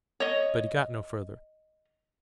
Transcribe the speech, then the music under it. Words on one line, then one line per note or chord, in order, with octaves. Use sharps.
But he got no further.
C#5 D#5